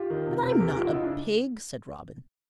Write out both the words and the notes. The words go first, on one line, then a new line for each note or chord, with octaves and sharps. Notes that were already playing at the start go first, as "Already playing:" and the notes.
"But I'm not a pig," said Robin.
Already playing: F4 G4
D#3
C3
C3
A#4
D#2 G4 A4
G#4 A#4
F3 F4 G4
E4 F#4
C#3 D#4 F4
D4 E4